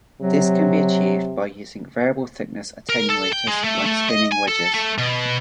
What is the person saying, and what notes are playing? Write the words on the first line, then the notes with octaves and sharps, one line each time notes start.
This can be achieved by using variable thickness attenuators like spinning wedges.
C3 F#3
A#4
A4
G5
G#3
A3
A3
D#5
G#5
A4
A3
B2